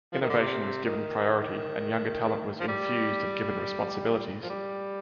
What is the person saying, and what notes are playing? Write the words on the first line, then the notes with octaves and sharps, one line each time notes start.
Innovation was given priority and younger talent was infused and given responsibilities.
F3
D#3
D3
C3
D#3
D#3
F3
G3
F3
G3